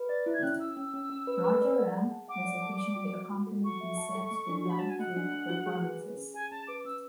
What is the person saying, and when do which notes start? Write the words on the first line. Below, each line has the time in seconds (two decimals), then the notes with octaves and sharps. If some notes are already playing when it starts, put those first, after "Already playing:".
Raja Ram has occasionally accompanied these sets with live flute performances.
Already playing: B4
0.09 D5 A6
0.26 E4
0.34 G#6
0.43 C#4 F#6
0.60 C#4 E6
0.76 C#4 E6
0.94 C#4
1.10 C#4
1.27 B4
1.45 B4
1.61 D5
1.77 F#5
1.95 G#4
2.11 A5
2.28 F#5 D6
2.45 D5
2.62 A5
2.80 D5
2.96 F#4
3.13 F#4
3.30 F#4
3.47 A4
3.64 F#4 C#6
3.81 E5
3.98 A5
4.15 A4
4.31 A3
4.49 D4
4.60 C#6
4.65 F#4 B5
4.79 F#4 A5
4.89 G#5
4.99 A3 F#5
5.16 D4
5.32 A3
5.49 F#4
5.66 G#4
5.84 B4
6.01 G#4
6.17 C#4
6.34 G#4 G#5
6.51 C#4 A5
6.67 B4 D6
6.85 C#4 E6